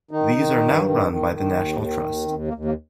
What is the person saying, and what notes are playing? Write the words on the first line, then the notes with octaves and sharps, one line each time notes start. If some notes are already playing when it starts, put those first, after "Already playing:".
These are now run by the National Trust.
D#3 D#4
D#3
G2
D#3
D#3
D#3
D#2
D#3
D#2
D#2 C4
A#3
D#2
A#3